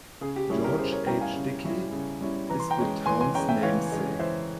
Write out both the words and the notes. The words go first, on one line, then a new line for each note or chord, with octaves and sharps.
George H. Dickey is the town's namesake.
C#3 G#4
G4
G3 C#4 E4 G#4
G4 A#4
C#3 G#4 C5
A#4 C#5
G3 C#4 E4 G5 A#5
F5 G#5
C#3
G3 C#4 E4
C#3
G3 C#4 E4
E3 A#5
C6
G5 A#5
G#3 C#4
E3 G#5 C6
G#5 C6
G#3 C#4 G5 A#5
E5 G5
E3 C#5 F5
G#3 C#4
E3 C5 E5